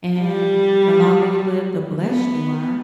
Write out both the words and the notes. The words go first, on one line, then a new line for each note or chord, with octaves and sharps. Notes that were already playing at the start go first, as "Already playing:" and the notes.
and the longer you live, the blessed you are.
G3
B3